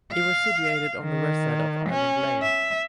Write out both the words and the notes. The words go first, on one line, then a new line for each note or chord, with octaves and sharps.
It was situated on the west side of Island Lane.
F5
D#3
C#4
E5